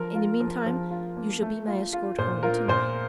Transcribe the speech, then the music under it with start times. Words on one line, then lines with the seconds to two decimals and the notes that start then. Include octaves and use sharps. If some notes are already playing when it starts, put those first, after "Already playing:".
In the meantime, you shall be my escort home to-night.
Already playing: F3 A#4
0.15 F4
0.40 F3
0.66 F3
0.90 F4
1.17 A#3
1.42 A3
1.67 F4
1.93 F4
2.18 A#2 C5
2.43 F4 A#4
2.68 A#2 C5